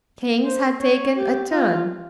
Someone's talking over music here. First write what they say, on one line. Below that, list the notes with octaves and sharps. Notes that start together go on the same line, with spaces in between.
Things had taken a turn.
C5
C#5
G4
F4